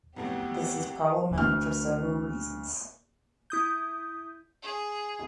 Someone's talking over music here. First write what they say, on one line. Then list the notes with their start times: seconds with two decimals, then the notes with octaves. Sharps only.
This is problematic for several reasons.
0.17 B1 F2 A2 F#3 B3 G4 F#5
1.38 D2 F6
3.50 E4 D#6 G6
4.63 G#4